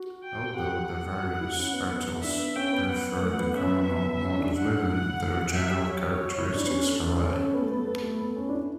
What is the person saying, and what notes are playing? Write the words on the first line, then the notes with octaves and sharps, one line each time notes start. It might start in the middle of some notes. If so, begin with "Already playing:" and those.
Although the various Artels prefer the communal mode of living, their general characteristics vary.
Already playing: F#4
G5
G4 F#5
F#5
F#4
F#4
E4
C#4
B3
B3
D4 E5
B3
C#4 G5
B3
F#5
B3
A3
B3
C#4 E5
B3
B3
C#4
D4
F#5
E4 F#5
F#4 E5
G4
G4 C#5
F#4
E4
D4
B3
C#4
A4
C#4
C#4
C#4
B3 A4
A3
B3
A3
B3
A3
B3
C#4
D4
E4